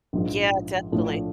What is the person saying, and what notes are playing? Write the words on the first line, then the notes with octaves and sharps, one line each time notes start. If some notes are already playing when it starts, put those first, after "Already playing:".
Yeah. Definitely.
A#1 G#2 F3
A#1 A2 F3 A3 D4